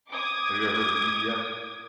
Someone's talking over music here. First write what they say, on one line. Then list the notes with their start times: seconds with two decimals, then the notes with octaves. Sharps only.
Have you ever heard of BBS?
0.11 D6 D#6 G#6